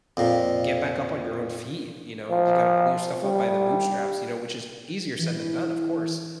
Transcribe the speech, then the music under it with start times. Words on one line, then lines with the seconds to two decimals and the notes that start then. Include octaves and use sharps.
get back up on your own feet, you know, you gotta pull your stuff up by the bootstraps, you know, which is easier said than done, of course,
0.17 F2 A#2
2.30 F3
3.23 G3
5.19 E3